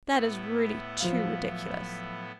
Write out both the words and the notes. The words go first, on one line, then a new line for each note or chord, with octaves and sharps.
That is really too ridiculous!
A2 B3 E4
F3 F#3 F5